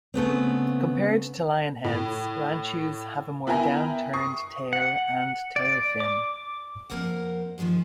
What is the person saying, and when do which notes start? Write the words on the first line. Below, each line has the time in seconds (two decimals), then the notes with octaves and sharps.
Compared to lionheads, ranchus have a more downturned tail and tail fin.
0.14 C#3 A3 B3 C4
1.84 A2
3.47 B3 E4 A#4 G5 G#5 A#5
4.13 C#6 D#6 C7
4.73 F#5
5.56 D5
6.00 D6
6.90 F2 F3 A#3 A#4 C5 F#5
7.58 D#3 F3 F#3 G#3 G#4